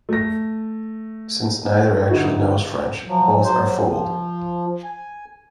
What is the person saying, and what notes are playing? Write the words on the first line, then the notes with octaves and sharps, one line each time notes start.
Since neither actually knows French, both are fooled.
A3 A#6
D3 D#4 E4 F#4
F3 F#3
F#3 C5
F3
G#5